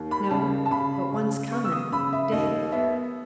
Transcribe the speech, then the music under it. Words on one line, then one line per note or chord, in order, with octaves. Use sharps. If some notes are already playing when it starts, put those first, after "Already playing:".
"No, but one's comin'--Dave."
Already playing: D#2
B5
C#3 A5
A5
C#3 B5
C#3
B3 C#6
E6
D#6
C#3 B5
E5
D#2 D#5
B3 E5